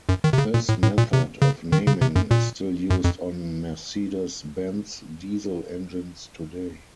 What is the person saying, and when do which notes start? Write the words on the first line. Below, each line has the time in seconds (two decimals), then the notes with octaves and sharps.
This method of naming is still used on Mercedes-Benz diesel engines today.
0.09 F#2
0.24 D#3
0.33 C3
0.38 C#3
0.54 A#2
0.69 A2
0.83 A2
0.98 A#2
1.13 C3
1.42 C#3
1.72 D#3
1.87 C#3
2.01 C3
2.16 F#2
2.31 A#2
2.90 F#2
3.04 F2